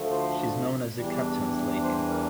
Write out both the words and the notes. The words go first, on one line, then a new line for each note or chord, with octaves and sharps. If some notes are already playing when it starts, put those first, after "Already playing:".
She is known as the Captain's Lady.
Already playing: D2 D3 F3 A3
C5
D5
E2 E3 G3 D4
C5
A#4